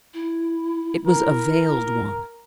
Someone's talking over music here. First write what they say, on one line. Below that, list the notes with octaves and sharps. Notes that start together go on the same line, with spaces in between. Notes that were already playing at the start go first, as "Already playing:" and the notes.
It was a veiled one.
E4
E4 A#4